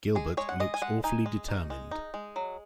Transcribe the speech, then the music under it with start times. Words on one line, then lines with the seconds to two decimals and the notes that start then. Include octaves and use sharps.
Gilbert looks awfully determined.
0.15 G#3 G#4
0.37 G#3 C#5
0.49 F#5
0.60 G#3 D#5
0.74 G#5
0.82 G#3 F#5
1.04 D#4 G#5
1.26 G#3
1.48 D#4
1.70 G#3
1.91 D#4
2.14 G#3
2.36 F#3